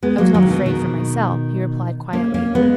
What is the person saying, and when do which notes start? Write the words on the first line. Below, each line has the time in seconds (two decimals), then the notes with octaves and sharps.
"I was not afraid for myself," he replied quietly.
0.03 G#3 B3
0.18 F#3 A#3
0.34 D#3 F#3
0.50 B2 D#3
0.66 B2 D#3
2.13 A#3 C#4
2.34 A#3 C#4
2.55 G#3 B3